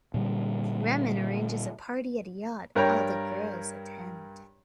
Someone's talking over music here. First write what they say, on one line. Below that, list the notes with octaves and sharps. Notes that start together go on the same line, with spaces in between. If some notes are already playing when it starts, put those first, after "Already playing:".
Rehman arranges a party at a yacht; all the girls attend.
A#2 D3 G3
G2 A#4 C#5 G5 A#5